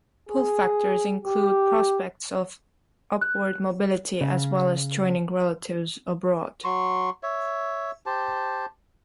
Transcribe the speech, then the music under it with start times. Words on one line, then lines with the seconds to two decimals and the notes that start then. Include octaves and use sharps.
Pull factors include prospects of upward mobility as well as joining relatives abroad.
0.29 G#4
1.25 G4
3.21 F#6
4.21 C#3
6.64 F#3 C6 C#6
7.23 C#5 E5
8.06 G4 C5 A5